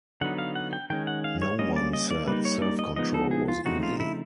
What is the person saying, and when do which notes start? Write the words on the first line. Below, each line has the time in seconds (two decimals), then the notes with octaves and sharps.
No one said self-control was easy.
0.21 D3 F#3 B3 D#4 F#5
0.38 F5
0.55 F#5
0.73 G5
0.90 D#3 G#3 C#4 G5
1.07 F#5
1.24 F5
1.42 C#5
1.59 G3 A#3 C#4 D#5
1.76 D5
1.93 D#5
2.11 D5
2.27 G3 A#3 D#4 B4
2.45 C#5
2.62 D5
2.79 D#5
2.96 F3 G#3 B3 D#4 D#5
3.14 A4
3.31 G#4
3.48 F4
3.65 C#3 F3 A3 C4 D#4 F#4
3.83 F4
4.00 E4